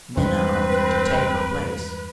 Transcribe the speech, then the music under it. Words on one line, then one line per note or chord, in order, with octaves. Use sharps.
Minna offered to take her place.
E2 G2 G#3 C4 B4